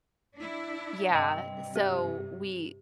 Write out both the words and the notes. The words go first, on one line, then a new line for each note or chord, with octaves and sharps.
yeah, so we
D4 E4
G2 C3 D#5 G5
G4